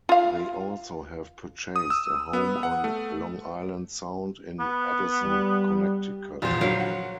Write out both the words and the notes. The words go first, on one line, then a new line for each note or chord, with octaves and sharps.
They also have purchased a home on Long Island Sound in Madison, Connecticut.
F4 F5
D#6
E6
B3
F#5
A3
B3
G3
E2 A#2 F3 F4 C5
G1 D3 F3 F#3 A#4 F5
F#5